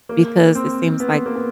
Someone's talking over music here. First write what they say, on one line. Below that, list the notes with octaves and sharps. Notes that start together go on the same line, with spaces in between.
because it seems like
A#3
C4
B3
A#3
B3